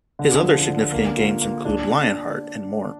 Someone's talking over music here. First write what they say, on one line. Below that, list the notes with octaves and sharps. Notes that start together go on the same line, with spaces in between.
His other significant games include "LionHeart" and more.
D3
F3
D3
A#3
F4
A#3
D4